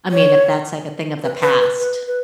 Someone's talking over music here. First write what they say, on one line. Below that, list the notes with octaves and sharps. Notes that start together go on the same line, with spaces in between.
I mean, if that's, like, a thing of the past,
C#5
B4
B4
B4
B4
B4